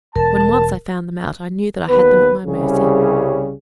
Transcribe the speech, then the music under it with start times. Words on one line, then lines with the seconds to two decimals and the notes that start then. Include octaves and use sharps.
When once I found them out I knew that I had them at my mercy.
0.16 E1 A#4 A5
1.89 D#2 B3 B4
2.45 C2 C#3 G3 C#4 G#4